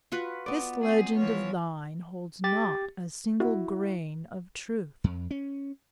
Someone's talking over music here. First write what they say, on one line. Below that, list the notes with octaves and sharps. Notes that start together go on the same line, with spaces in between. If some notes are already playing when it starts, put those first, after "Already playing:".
This legend of thine holds not a single grain of truth.
F4 F#4 B4
B3 D5
C4 G#4
E3 F3 C#5
G4 A6
E4 F#4
F2
C#4